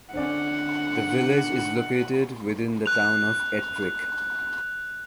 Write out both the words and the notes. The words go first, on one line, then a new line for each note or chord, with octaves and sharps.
The village is located within the Town of Ettrick.
D3 C4 C#4 D5 F#5
F#6 F7